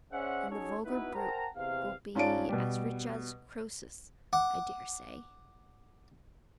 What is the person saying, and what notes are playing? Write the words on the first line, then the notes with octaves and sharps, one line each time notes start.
And the vulgar brute will be as rich as Croesus, I dare say.'
C#4 G#4 C5 D5 E5 F#5
C#4 D#4 F#4 G#4 A4 C#5
B3 D#4 E4 F#4 B4
A#4 C5 F#5 G5 A5 A#5
E2 C3 F5
G#2 C#4 F4 D5 A5 D7
B2 G3
F#5 D6